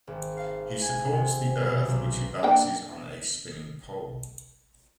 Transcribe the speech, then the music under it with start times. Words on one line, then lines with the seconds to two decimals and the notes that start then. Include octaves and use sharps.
He supports the Earth which he balances on a spinning pole.
0.07 G#1
0.37 F5
0.82 G#5
1.12 C3
1.62 B2
1.88 B1
2.43 A#3 D4 G5